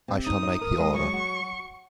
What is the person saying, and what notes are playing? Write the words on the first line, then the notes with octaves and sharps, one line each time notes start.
I shall make the order.
C3
D#4 D#6
D#5
A#4 D#6
G#3
F#3 C#6
F#4